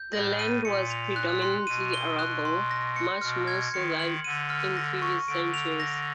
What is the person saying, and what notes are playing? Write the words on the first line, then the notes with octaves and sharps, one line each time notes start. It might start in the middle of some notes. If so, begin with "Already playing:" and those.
The land was predominantly arable, much more so than in previous centuries.
Already playing: G6
A2 A#6
D#7
A#2 C#7
F7
F#6
C6
B2 D#7
G7
F#6
C6
A#6
C#7
B2 F6
G#6
D#3 C#7
F#7
D3 D#7
F6
A#6
C#6
D3 D7
F7
A#6